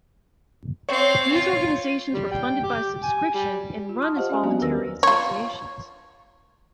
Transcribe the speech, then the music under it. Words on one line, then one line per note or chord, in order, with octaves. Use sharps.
These organizations were funded by subscription and run as voluntary associations.
C4 C#5 F5
F4
G3
G5
G4
G#5
G3
F4
A5 C6 C#6 D#6 F6
G4 C5 D#5 F5 F#5
C#4 D5 E5 G#5 A#5
F#3 A#3 B3 D4 F#4 G4
E2 D#3 A#4 B4 E6 A#6
F4 C#5